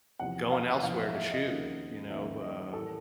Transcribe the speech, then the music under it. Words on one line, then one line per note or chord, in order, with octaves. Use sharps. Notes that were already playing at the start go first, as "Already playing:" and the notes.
going elsewhere to shoot, you know, uh,
E2 C3 F3 F#5
F5
E2 C3 F3 F5
E5
E5
D#5
D#2 C#3 F3 A#3
D#2 C#3 F3 A#3 E5
D#5
A2 E3 G3 A#3 A4